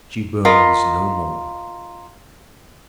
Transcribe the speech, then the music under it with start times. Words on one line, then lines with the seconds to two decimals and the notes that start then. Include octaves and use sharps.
"She burns no more."
0.45 F4 A#4 D#5 B5